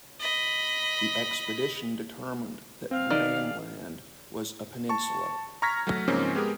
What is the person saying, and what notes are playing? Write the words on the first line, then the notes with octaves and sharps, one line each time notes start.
The expedition determined that Graham Land was a peninsula.
D#5 B5
C4 F5
D#3 D5
A5 C#6
A#5 C#6 F6 G#6 A#6 B6
F#3 A3
G#2 C#3 F3 A#3 C4 C#4
G#3 B3 G4 G#4 A#4